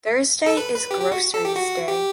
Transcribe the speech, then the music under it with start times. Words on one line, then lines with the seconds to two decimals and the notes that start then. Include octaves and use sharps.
Thursday is groceries day.
0.46 A4
0.57 B4
0.74 B4
0.91 G4
1.01 G4
1.12 F#4
1.34 A4
1.45 G4
1.56 F#4
1.88 G4